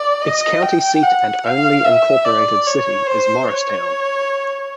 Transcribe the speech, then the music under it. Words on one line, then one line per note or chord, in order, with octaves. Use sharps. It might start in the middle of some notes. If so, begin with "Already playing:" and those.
Its county seat and only Incorporated city is Morristown.
Already playing: D5
D#5
G5
F#5
F5
E5
D5
C#5
C5
C#5